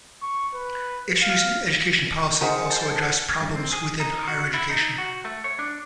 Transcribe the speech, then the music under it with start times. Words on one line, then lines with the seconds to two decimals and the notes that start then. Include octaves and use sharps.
Issues in education policy also address problems within higher education.
0.22 C#6
0.54 B4
1.23 F5
2.41 C#3 G#3 A#4 C5 F#5 G5 A#5
2.70 A5 G6 C7
3.41 G2
3.56 C4
3.72 G#4
4.00 D#4
4.28 F#4
4.54 E4
4.70 D#4
4.98 F#4
5.25 A3
5.44 C#5
5.59 D4